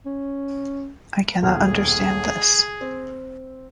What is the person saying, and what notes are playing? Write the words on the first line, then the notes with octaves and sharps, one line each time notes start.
I cannot understand this.
C#4
D#1 B1 G#4 F6
C4